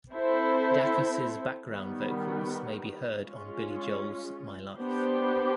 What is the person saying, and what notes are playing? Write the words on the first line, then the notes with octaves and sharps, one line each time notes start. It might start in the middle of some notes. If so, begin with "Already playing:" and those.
Dacus' background vocals may be heard on Billy Joel's "My Life".
C4 E4 A4 C5
D#3 G3 B3
G#3 C#4 F4
B3 D4 G4 C5